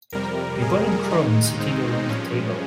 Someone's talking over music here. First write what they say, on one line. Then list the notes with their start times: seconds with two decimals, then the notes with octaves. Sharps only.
People in crowns sitting around the table.
0.12 F2 C3 G3 A#4
0.62 G#4
1.11 D#2 D#3 G#3 D#4
1.60 C4
2.09 G2 F3 G#3 C#4